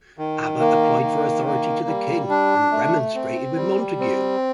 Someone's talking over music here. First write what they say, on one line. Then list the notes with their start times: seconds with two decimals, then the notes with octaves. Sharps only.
Abbot applied for authority to the King, and remonstrated with Montagu.
0.18 D#3
0.60 A#3
1.02 D#3
1.45 A#3
1.87 G3
2.30 D4
2.72 A3
3.15 C4
3.57 G3
4.00 C4